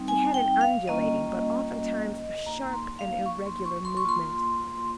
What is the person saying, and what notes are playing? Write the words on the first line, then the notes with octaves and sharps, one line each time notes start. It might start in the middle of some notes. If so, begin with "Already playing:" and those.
She had an undulating, but oftentimes a sharp and irregular movement.
Already playing: G3 C4 D#4
G#5
G5
F5
G3 A#3 C#4 F4 D#5
A#3 D#4 A#5
C6
F5
C#6
C6
C#6
C6
C#6
A#3 F4 C6